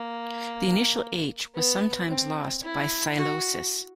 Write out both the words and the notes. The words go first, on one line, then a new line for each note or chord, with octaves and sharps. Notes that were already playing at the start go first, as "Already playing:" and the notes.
The initial "h" was sometimes lost by psilosis.
Already playing: A#3
B3
C4
E4
F#4